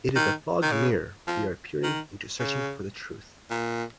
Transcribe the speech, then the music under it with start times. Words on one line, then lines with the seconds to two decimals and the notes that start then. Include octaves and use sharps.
It is the fogged mirror we are peering into searching for the truth.
0.16 D#3
0.62 D#3
0.71 C#3
1.27 F3
1.83 D#3
2.39 C#3
3.50 A#2